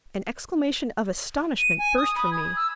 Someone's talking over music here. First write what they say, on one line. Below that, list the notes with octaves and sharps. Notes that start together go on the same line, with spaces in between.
An exclamation of astonishment burst from me.
D#7
G#5
D#6
B5
G#6
E6